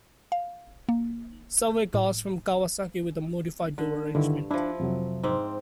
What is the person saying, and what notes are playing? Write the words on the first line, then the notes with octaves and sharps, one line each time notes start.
Subway cars from Kawasaki with a modified door arrangement.
F5
A#3
A2
D3
G2 D3 D#3 E4
F3 D4 E4
F2 C3 F#3
G#2 C4